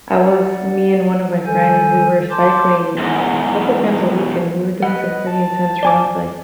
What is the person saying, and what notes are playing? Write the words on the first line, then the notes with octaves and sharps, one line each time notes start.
I was me and one of my friends, we were cycling, um, a couple times a week, and we were doing some pretty intense runs. Like,
D5 F#5
D#3 G3 A4 G#5 G6
A5 C6 D6 G6
E2 G#2
B4 D#5 F#5
A5
D5 G#5 D6